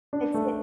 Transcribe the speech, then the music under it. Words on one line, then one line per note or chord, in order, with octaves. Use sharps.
It's it
D4
A3